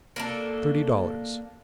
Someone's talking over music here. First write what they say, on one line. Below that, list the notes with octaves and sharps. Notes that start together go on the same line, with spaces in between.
"Thirty dollars."
A#3 D4 A4